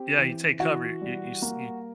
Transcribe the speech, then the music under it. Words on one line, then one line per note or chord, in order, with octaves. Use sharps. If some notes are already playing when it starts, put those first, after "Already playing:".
Yeah, you take cover. You you s y
Already playing: C4 G4
E3
E3 F#4
G3
A#3